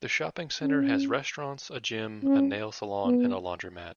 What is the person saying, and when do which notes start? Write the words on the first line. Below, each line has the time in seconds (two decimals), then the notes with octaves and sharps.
The shopping center has restaurants, a gym, a nail saloon, and a laundromat.
0.62 C#4
2.24 C#4
3.05 B3